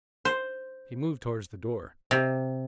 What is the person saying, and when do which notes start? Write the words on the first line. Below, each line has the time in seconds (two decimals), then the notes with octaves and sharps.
He moved towards the door.
0.25 C5
2.11 C3